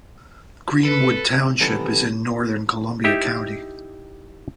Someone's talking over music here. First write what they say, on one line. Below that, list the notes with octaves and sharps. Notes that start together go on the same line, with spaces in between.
Greenwood Township is in northern Columbia County.
A4 B4
C3 D#3 E3 G3 B3 A4
D#4 E4 G4 E5